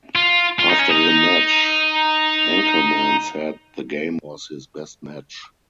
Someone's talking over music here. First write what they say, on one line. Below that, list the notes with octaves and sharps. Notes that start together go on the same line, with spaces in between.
After the match, Enckelman said the game was his best match.
F4
F4
D#4
C#4
D#4